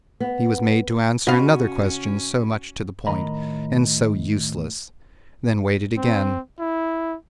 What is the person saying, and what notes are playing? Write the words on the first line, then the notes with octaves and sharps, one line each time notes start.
He was made to answer another question so much to the point and so useless, then waited again.
B3
C3 C#4 F#4 D#5 F5 B5
A2 D#3 D#5 A#5 B5
C4
E4